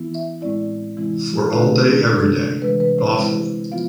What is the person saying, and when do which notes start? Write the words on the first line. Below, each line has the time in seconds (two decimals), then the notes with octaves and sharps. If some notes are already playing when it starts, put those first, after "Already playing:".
For all day everyday. Awful.
Already playing: E3 B3 E4
0.15 E5
0.41 A2 G#3 C4 E4 D5
0.97 C3 E3 G#3 C4 E4
1.41 A4
1.52 D3 A3 D4 F4 B4
2.07 C3 G#3 D4 A4
2.62 C3 E3 G#3 B4
2.80 B4
2.98 C5
3.17 E3 G#3 C4 E4
3.72 F3 B3 F4 F5